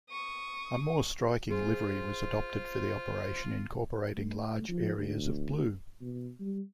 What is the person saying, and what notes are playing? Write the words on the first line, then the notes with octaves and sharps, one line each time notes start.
A more striking livery was adopted for the operation incorporating large areas of blue.
C#6 D#6
F4 G#4 C5
A3
F3
D2
B2
G3